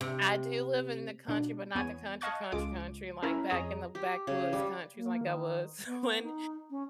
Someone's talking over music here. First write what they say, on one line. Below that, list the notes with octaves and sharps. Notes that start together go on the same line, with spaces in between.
I do live in the country, but not the country, country, country, like, back in the backwoods countries like I was when
C3
B2 D4
E2 B3 C#5 G#5 D#7
D#5 F5 A5 C#6 F#6 G#6
C#2 G#3 F4 D6 D7
C#4 E4 A#4 G#5 A#5 B5
F2 G#4 C#5 D#5 A#5 D#6
G4
C#3
G3
A#3
D#3
B3
D#4
C#4